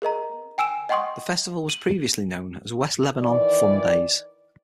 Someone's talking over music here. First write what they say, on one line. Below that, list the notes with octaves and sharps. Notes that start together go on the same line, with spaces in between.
The festival was previously known as West Lebanon Fun Days.
G#4 A#4 D#5 A#5
G5 G#5 E6 D7 E7
D#5 F#5 G5 C6 C#6 D#6
D#7 F#7
D#3 E3 D5